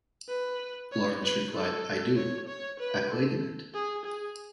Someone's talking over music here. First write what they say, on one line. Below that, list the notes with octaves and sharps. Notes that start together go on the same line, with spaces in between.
Lawrence replied I do, I played in it.
B4
C#5
B4
A4
C#5
C#5
B4
A4
G#4
G#4